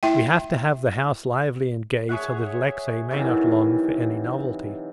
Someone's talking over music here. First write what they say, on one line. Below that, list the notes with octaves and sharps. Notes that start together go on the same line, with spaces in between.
We have to have the house lively and gay, so that Alexey may not long for any novelty.
E4 E5 G5
G#4 C#5 E5 F#5
C3 D#3 E3 F#3